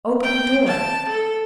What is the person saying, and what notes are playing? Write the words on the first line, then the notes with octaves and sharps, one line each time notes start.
Open the door.
G5
A5
A4